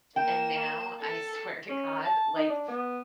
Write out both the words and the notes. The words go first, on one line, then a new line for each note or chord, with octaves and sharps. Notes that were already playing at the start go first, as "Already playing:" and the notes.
and now, I, swear to God, like,
A#3 G5 E7
A4
C#4
A5
D#4
D4
B3